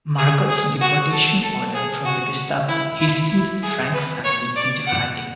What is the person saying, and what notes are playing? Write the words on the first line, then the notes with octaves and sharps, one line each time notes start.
Margot's deportation order from the Gestapo hastened the Frank family into hiding.
G#4
G#4
F#4
A4
A4
G#4
F#4
E4
E4
E4
G#4
B4
C#5
D5
F#5